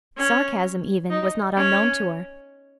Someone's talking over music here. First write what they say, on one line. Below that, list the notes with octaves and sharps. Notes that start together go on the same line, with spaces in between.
Sarcasm, even, was not unknown to her.
C#4
D#4
C#4